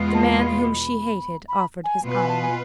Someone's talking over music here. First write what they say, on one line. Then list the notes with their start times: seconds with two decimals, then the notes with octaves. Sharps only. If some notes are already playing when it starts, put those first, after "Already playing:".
The man whom she hated offered his arm.
Already playing: E2 B2 G#3 B3 F4
0.14 A5
0.40 B5
1.49 B5
1.84 G#5
2.02 B2 B3 F4 B4
2.16 G#5
2.28 A5
2.42 G#5